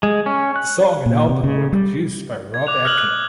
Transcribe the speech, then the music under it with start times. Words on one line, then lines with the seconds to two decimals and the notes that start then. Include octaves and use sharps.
The song and album were produced by Rob Aickin.
0.03 G#3
0.26 C#4
0.56 F#6
1.06 A#2
1.29 C3
1.44 C#3
1.73 G3
2.54 G#6
2.67 D6 F#6 F7
2.84 D#6 F6 F#6 F#7
2.97 F#6